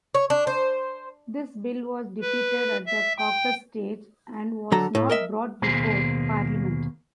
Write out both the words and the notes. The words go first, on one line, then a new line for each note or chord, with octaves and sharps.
This bill was defeated at the caucus stage and was not brought before Parliament.
C#5
D4
C5
B4
E5
G5
D3 F#3 A4 A#5
A2
A#4 D#5 E5
D#2 B2 A#3 G#4 C5